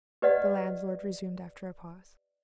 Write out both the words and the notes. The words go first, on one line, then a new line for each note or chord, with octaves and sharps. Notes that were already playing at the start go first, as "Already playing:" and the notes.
The landlord resumed after a pause.
G4 B4 D5 D#5 F#5